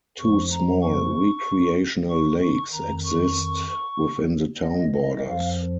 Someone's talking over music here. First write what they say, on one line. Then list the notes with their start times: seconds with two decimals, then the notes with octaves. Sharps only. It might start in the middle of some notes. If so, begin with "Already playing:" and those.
Two small recreational lakes exist within the town borders.
0.19 F2 F3 C#6
0.51 A#5
0.82 C#6
2.09 C#6
2.41 C#6
2.72 F2 D#3 A#5
3.04 C#6
4.62 D#5
4.94 D#5
5.27 F2 F3 F5